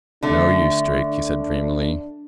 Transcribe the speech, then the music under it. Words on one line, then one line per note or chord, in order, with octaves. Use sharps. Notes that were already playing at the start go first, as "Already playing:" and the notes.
"No use, Drake," he said dreamily.
D3 A3 D4